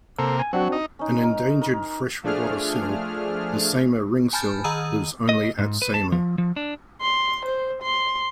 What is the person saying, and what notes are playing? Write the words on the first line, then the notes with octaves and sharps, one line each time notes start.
An endangered freshwater seal, the Saimaa Ringed Seal, lives only at Saimaa.
C3 A#3 A4
G#5
F#3 C4 D4 F#4
D#4
C#4 D#4
A#4
A#4
F3 A3 D4 G#4 F6
G#5 A5 B5 F6 G6 A6
D#3 D#5 A#5 D#6 E6 D#7
D#5
G#2
B4
A5
F3
F3
D4
C6
C5
C6